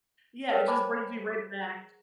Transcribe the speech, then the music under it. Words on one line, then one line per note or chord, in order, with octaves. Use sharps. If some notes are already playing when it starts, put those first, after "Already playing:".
yeah, it just brings me right back
A#4 B4 C#5 G5 A5
C5 D#5 G#5 A5 B5 D6
G#4